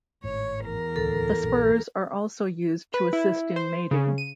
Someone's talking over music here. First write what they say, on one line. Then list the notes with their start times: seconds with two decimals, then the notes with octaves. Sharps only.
The spurs are also used to assist in mating.
0.24 G#1 A2 C#5
0.63 E2 A#4
0.96 D1 C#2 A4
1.43 A#1 G2 A#2
2.94 B4
3.13 E4
3.56 C5
3.91 C#3
4.18 D#7